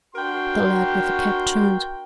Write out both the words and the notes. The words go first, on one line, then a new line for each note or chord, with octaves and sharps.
The lad with the cap turned.
D4 F#4 A#4 G5 C6